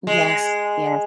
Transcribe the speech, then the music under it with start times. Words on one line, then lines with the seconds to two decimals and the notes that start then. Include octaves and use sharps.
Yes, yes.
0.07 G#3